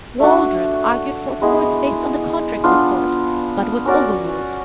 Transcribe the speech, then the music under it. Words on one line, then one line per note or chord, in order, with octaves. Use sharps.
Waldron argued for a course based on the contact report, but was overruled.
A3 D4 F#4
G#3 B3 E4 G#4
B3 D4 F4
C#4 F#4 A#4 D5